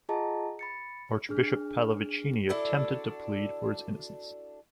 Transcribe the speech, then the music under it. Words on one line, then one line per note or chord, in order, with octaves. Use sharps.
Archbishop Pallavicini attempted to plead for his innocence.
F4 G#4 D#5 F#5 A5 A#5
B5 A6 C#7
D4 G#4 F6
D4 E4 F#4 A4